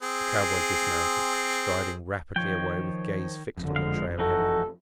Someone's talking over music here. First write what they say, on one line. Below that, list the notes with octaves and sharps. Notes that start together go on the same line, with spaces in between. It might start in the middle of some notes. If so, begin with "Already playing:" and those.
The cowboy dismounted, striding rapidly away with gaze fixed on the trail ahead of him.
C4 G#4
D#3 F3 C#5 G5
F#1 F2 D3
F3 G#3 F5
E3 D#4 F#4 A4